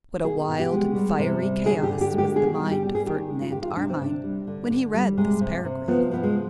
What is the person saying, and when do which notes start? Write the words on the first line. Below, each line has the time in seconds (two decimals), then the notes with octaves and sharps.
What a wild and fiery chaos was the mind of Ferdinand Armine when he read this paragraph.
0.24 B2 G#4
0.48 B2
0.60 G4
0.72 G#3
0.95 G3
1.19 C3
1.42 G3
1.65 D3 G#4
1.83 G4
1.89 D3
2.01 G4
2.12 G#3
2.18 G4
2.35 B2 G#4
2.60 G3
2.71 G4
2.83 G3
2.95 G#4
3.06 D#3 G4
3.30 G#3
3.42 F4
3.52 D#3 G4
3.62 F4
3.77 C3 D4
3.89 C4
4.01 C3 D4
4.24 G3
4.47 D3
4.70 D3
4.94 G3
5.17 C3 G#3
5.41 C3
5.64 C3
5.88 F3 B3
6.11 F3 B3
6.23 G#3